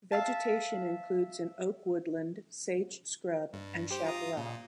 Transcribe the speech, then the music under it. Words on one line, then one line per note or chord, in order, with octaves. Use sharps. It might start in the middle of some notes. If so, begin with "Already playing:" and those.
Vegetation includes an Oak woodland, sage scrub and chaparral.
E5 F5 A5
G2
G4 C5
F4 A#5 D#6
A#2